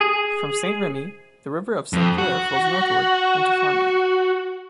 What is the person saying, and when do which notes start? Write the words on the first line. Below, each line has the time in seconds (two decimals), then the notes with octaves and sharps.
From Saint-Rémy, the river of Saint-Pierre flows northward into farmland.
0.01 G#4
1.93 F2
2.18 F#4